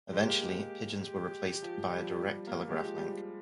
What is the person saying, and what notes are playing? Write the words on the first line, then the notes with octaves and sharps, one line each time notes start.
Eventually, pigeons were replaced by a direct telegraph link.
G#3 G4
A#3
G#3
G4
F3
G3
F3
G3
G3
A#3
G#3 G4
F3
G3
F3